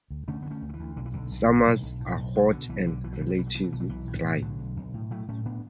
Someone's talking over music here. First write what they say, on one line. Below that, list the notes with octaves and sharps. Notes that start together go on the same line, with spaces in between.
Summers are hot and relatively dry.
D2
D3 A3 C#4
D2 B3
A3 C#4
D2
D3
E3
D2
B1 D3
E3
B1 D3
B1
A2
B1
B1
A2
B1
B2 D3
B2 D3
B1 E3
B1 D3
B2 E3
F#3
B1 E3
F#3
B2 E3
F#3
B2 E3
F#3
B1 E3
F#3
B1 E3
A2
A2
E3
B1 D3 F#3
B1
B1
A2
A2 F#3 A3
A2 A3 C#4
A2 B3 D4